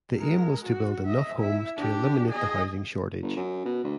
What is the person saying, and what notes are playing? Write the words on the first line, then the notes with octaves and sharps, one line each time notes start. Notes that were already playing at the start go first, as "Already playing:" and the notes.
The aim was to build enough homes to eliminate the housing shortage.
G#3 A#4
F#4
D#5 E5
E4 E5
D4 G4
G#4 D#5
G1
F#2
B2
D2